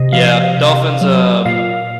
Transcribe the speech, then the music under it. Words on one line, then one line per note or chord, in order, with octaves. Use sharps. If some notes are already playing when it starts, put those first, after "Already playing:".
Yeah, dolphins, um
Already playing: C3 D#5
F3 F5
C3
F#3
A#2 F5